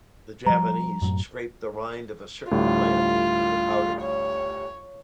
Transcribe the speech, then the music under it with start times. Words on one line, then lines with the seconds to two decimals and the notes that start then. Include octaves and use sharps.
The Javanese scrape the rind of a certain plant into a powder.
0.46 F3 G3 A#5
1.02 F#2 A2 F#3
2.51 D2 A2 G3 F4
4.02 C#5